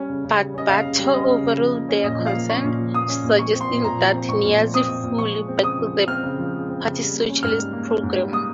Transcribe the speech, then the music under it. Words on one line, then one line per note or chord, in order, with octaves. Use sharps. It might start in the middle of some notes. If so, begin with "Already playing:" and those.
But Bhutto overruled their concerns, suggesting that Niazi fully backed the party's socialist programme.
Already playing: G3 C#4
C#3
C#3
G3
C#4 D#5
C#3 F5
C#3
G3
C#4 D#5
C#3
C#3
F3
A#3
C#4
A#2 D#5
F3
F5
A#3
C#4 C#6
A#2
F3
A#3 D#6
C#4
A#2
F3 C#6
C4
C6
A#2
A#2 A#5
F3
C4
A#2 C#6
A#2
F3
C4 D#6
A#2
A#2
F3 C#6
G#3
C4
C#3 D#6
F3
G#3
C4 F6
C#3
F3
G#3
C4
C#3
G3
A#3
C#4
G#2 F6
G3
A#3
C#4
G#2
G3
A#3 D#6